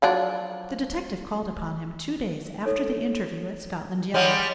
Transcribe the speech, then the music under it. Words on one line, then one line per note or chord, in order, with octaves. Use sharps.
The detective called upon him two days after the interview at Scotland Yard.
F3 F#3 D4
D#4 A4 C#5
G3 G#3 C#4 C#5 F#5 D#6